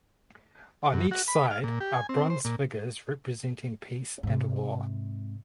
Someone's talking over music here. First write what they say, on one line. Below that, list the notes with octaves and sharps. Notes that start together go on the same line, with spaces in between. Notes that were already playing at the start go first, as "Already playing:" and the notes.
On each side are bronze figures representing peace and war.
F#2
F#4
B5
F5
A#2
G4
G#5
C4
C5
A#2
G#2 C3